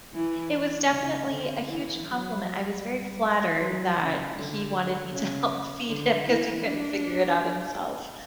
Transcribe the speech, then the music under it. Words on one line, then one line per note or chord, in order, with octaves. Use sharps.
it was definitely a huge compliment, I was very flattered that he wanted me to help feed him 'cause he couldn't figure it out himself.
E3
C#3
D3
E3
F#3
G3
F#3
C#3
D3
C#3
D3
E3
D4